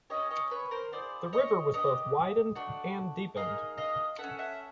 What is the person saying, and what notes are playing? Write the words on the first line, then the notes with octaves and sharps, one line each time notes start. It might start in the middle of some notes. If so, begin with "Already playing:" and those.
The river was both widened and deepened.
C#4 E4 G4 C#5 D#5
C#5 D#5
B4 C#5
A#4 C5
B3 E4 G#4 C5 D5
C#5 D#5
D4 G4 C#5 D#5
A3 D4 F#4
A#3 D#4 G#4 D#5 F5
D#5 F5
C#4 F4 A4 E5 F#5
E5 F#5